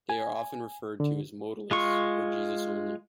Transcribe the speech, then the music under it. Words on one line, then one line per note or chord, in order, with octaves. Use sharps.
They are often referred to as "Modalists" or "Jesus Only".
G#5
D3
G#3 F4 C#6